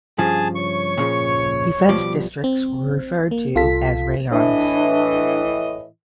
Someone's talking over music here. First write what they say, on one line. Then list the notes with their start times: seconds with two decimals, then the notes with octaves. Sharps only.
Defence districts were referred to as ‘rayons’.
0.18 G2 C#3 F3 G#4 A5
0.55 C#5 C#6
0.98 A#2 C#3 F3
1.89 B2 F3 G3 D6
2.44 C4
3.31 A#3
3.55 C2 F4 A4 B6
4.31 A2 E3 D4 D#5